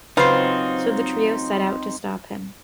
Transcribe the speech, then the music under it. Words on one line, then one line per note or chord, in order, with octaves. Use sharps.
So the trio set out to stop him.
C#3 F#3 C4 D#4 F4 B4 C5